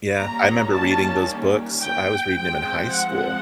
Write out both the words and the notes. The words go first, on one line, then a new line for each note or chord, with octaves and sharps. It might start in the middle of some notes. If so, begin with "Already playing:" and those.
Yeah, I remember reading those books; I was reading 'em in high school,
D#3 G3 A#3 C#4 A#5
A5
G5
F3 G#3 C4 G5
F#5